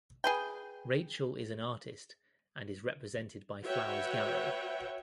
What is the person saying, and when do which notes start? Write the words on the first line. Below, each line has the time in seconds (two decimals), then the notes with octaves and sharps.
Rachel is an artist and is represented by Flowers Gallery.
0.24 G#4 B4 G5
3.65 F#4 B4 C#5 E5 F#5 G5